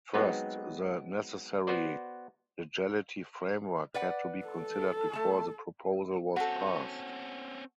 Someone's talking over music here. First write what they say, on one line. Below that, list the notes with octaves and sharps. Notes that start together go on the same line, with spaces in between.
First the necessary legality framework had to be considered before the proposal was passed.
F#3 G#3 B3 C4 D#4 B4
B3 F#4 B4 C5 D5
B4 D5 F#5
A4
A3 A5
C4 C#4 F#4 A4 F#5